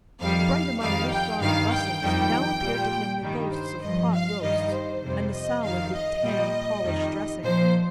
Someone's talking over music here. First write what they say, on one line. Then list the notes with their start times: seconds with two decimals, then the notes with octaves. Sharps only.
Bright among withdrawn blessings now appeared to him the ghosts of pot roasts and the salad with tan polish dressing.
0.20 F2 D#3 G3 F5
0.81 F2 D#3 G3 F5
1.11 G5
1.40 G2 D#3 G3 F5
1.71 G5
2.01 F2 D#3 G3
2.61 A#2 G3
3.21 G2 D#3 G3
3.52 C5
3.81 G2 F3 D#5
4.12 F5
4.41 G2 D#3 G3 D#5
4.72 C5
5.02 F2 C3 G3 C5
5.33 D#5
5.62 F2 D#3 G3 F5
5.93 D#5
6.22 A#2 G3
6.83 F2 D#3 G3
7.43 A#2 F3 C5